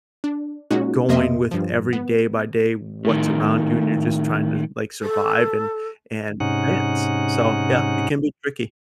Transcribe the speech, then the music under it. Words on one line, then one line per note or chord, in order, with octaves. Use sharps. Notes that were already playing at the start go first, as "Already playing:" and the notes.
going with every day by day what's around you, and you're just trying to, like, survive and and advance. So, yeah, it can be tricky.
D4
A#2 G#3 C#4 D#4 F#4
F2 C3 A#3 D#5 E5 C6
G2 F3
B3
A2 D#3
A4
G#2 C3 C#4 D#4 F#5